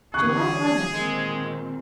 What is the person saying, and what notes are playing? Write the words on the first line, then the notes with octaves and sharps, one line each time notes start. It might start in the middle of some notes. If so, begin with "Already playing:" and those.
July Eleventh.
D3 E3 G3 G#4 C#6 F#6
A#2 D#3 G#3 C4